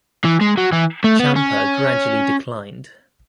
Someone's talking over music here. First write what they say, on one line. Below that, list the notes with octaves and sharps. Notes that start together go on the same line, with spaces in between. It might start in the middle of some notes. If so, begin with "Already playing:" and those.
Champa gradually declined.
E3
G#3
F#3
E3
A3
B3
C#4